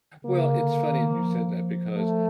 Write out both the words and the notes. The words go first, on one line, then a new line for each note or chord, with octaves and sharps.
Well, it's funny that you said that because,
C#3 A#3
D3
D#3
F3
A3